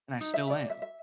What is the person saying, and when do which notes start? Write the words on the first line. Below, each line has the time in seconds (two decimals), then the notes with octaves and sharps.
and I still am.
0.21 D#4
0.34 E5
0.50 D5
0.70 E5
0.82 E5